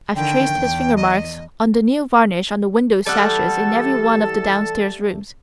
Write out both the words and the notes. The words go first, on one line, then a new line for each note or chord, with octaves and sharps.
I've traced his finger-marks on the new varnish on the window sashes in every one of the downstairs rooms.
D3 D#3 G5
E2
D#5
E3 G3 A3 A4 F#5 A5